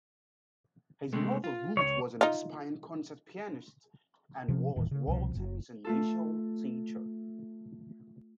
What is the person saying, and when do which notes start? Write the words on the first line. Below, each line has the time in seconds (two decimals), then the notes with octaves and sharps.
His mother Ruth was an aspiring concert pianist, and was Walton's initial teacher.
1.13 C3 G#3 A3
1.44 F4
1.77 C#2 C#5
2.21 D#4 F4
4.48 C3 F3 C4 C#4
4.76 D#1 A2 D#3 E3
4.91 C#3
5.07 C2 B2 F3
5.35 F#1
5.85 A3 F4 A4